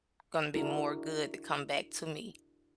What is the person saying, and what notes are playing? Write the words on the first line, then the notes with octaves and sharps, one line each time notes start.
gonna be more good that come back to me.
D4 E4 F#4 G#4 A#4